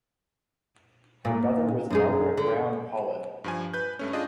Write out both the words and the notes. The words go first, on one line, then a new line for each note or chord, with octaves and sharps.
Her mother was Margaret Brown Paulin.
A#2
F#2 D#4 G#4
D3
G2 F3 G#5
B4 G6
G2 A3 C#4
D4 F4 G#4 D#5